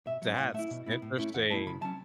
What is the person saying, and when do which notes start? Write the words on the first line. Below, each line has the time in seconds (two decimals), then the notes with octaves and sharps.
That's interesting.
0.06 B2 E5
0.22 F#3 C#4
0.38 A2 F#5
0.54 A3 E4 E5
0.71 B2
0.86 B3 E4
1.02 A2
1.18 A3 C#4 E4
1.34 E2 F#5
1.50 B2 A3 E4 A5
1.67 C#3 B5
1.82 F#3 C#4 A5